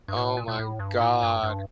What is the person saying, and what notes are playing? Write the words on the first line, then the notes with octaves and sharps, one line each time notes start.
Oh my god.
G2
A2
A#2
A#2
A2
G2
A2
G2
G2